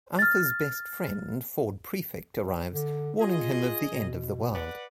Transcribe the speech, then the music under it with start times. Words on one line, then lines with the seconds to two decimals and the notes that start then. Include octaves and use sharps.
Arthur's best friend, Ford Prefect, arrives, warning him of the end of the world.
0.19 F6 A6
2.73 D3
3.20 F4 G#4 D#5
3.92 B2
4.55 B4 D5 F#5